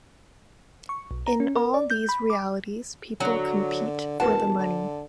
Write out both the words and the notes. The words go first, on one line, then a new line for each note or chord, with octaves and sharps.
In all these realities people compete for the money.
C#6
B1
A#5
C#4
A#4
D5
G6
B5
D6
D3 F#3
E1 A#4 B4 F#5 A5
D3